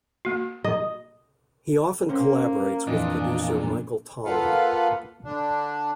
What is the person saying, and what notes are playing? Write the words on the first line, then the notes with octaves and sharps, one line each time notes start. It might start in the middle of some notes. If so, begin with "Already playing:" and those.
He often collaborates with producer Michael Tollin.
A#3 F#4
D#5
A#3 C#4 C5
F2 A#2 E3 D4 D#5
A#3 F4 A4 B4 F5 F#5
D3 D4